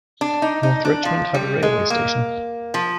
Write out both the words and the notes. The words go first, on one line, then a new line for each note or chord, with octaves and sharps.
North Richmond had a railway station.
D4
D#4
D#4
D4
F3
G3
G#3
A#3
F3